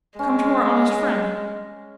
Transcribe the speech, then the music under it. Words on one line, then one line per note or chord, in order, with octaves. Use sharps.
Come to our honest friend.'
G#3 C#4